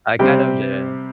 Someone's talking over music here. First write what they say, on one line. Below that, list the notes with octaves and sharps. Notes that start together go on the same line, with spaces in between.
I kind of d
C3 G3 C4 G4 G5